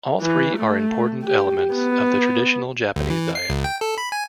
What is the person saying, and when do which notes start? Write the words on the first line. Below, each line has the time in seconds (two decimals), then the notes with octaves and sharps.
All three are important elements of the traditional Japanese diet.
0.21 E3
0.57 A3
1.23 G4
1.74 B3
2.96 D2
3.10 E3
3.35 C7
3.49 C#2
3.64 G5
3.81 A4
3.98 B5
4.12 G#5